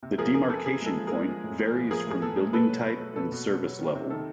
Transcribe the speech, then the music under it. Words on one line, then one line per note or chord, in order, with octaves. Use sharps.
The demarcation point varies from building type and service level.
C3
F3 G#4 A#4
F3 G#4 A#4
B3 A4
F3 G#4
G#3 A4
F3
G#4 A#4
G#3
F3
A2
B3
F3
F3 G#4 A#4
A2 G#4
B3 A4
G#3
B2 A4 B4
F#3
B2
A3
B2 A4
B2
B2
F#3
D#3
C3
D#3 A4